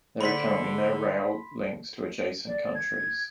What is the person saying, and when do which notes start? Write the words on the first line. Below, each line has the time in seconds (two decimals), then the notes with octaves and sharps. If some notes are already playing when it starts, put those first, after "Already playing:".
There are currently no rail links to adjacent countries.
0.21 D3 B5 C6 B6
2.47 D5
2.75 G#6